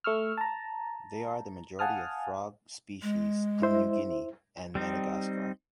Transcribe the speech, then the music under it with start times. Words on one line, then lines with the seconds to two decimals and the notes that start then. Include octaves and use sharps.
They are the majority of frog species in New Guinea and Madagascar.
0.04 A3 C#6 E6 F6
0.38 A5 A#5
1.79 F5 F#5 G#5 A5 D#6 F6
3.02 G#3
3.62 E4 C5 E5
4.75 G3 C4 D#4